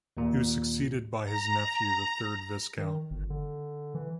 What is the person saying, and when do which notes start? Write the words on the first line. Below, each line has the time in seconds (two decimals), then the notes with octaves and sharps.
He was succeeded by his nephew, the third Viscount.
0.17 D#2 A#2
1.25 A#5
2.78 D#3
3.11 G1
3.30 D3
3.95 E3